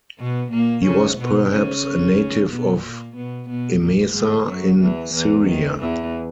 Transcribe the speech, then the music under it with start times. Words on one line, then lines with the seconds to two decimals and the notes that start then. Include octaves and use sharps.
He was perhaps a native of Emesa in Syria.
0.19 B2 B3
0.52 A#2 A#3
0.85 C#3 C#4
1.18 B2 B3
1.51 C#3 C#4
2.50 B2 B3
2.82 A#2 A#3
3.16 B2 B3
3.49 B2 B3
3.82 A#2 A#3
4.15 G#2 G#3
4.48 F#2 F#3
4.81 E2 E3
5.14 E2 E3
5.47 D#3
5.80 E2 E3